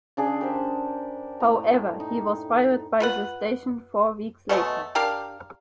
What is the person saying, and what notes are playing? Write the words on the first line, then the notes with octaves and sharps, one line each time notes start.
However, he was fired by the station four weeks later.
C#3 D4 G#4 C6
G4 A#4 C5
A2 A#5
D#4
F4 B4 F#5
B2 F#3 G#3 A3
D4 G4 A#4 F5